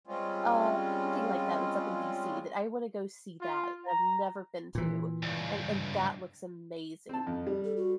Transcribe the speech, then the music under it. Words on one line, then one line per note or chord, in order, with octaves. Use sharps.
Uh, something like that that's up in DC that I wanna go see that, that I've never been to, and and that looks amazing.
G3 G#3 C4 C#4 F4
F4
A#5
A#2 E3
C#2 G2
C4 A5
F2
G3
A4
F#4